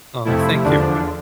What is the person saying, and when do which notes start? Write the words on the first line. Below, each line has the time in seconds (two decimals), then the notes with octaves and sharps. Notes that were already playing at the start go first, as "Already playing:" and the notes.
Aw, thank you for that.
0.25 F2 C3 F3 A3 E4
0.65 E2 D3 F3 D4